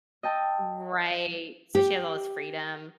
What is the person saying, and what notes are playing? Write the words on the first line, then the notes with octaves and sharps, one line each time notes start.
Right. So, she has all this freedom,
D#5 G5 A5 E6
G4